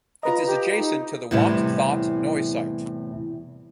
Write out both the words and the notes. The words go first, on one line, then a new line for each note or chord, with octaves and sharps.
It is adjacent to the Wat That Noi site.
F4 B4 D#5 A#5
G4
D#4
E2 A2 C3 G3 E4 D5